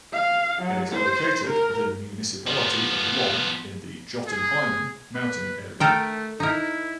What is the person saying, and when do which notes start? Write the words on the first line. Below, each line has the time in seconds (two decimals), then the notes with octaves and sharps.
It is located within the municipality of Lom, in the Jotunheimen mountain area.
0.13 F5
0.62 F#3
0.92 C5
1.47 A#4
2.47 F3 B3
4.27 G#4
5.15 B4
5.80 A3 A4 A#4 G5
6.40 D#4 E4 A#4